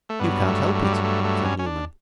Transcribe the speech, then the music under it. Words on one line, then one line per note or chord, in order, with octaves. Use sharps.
'You can't help it,' said Newman.
A3
G2 F#3 B3
A3
A3
G3
A3
A3
A3
C#4
C#4
D4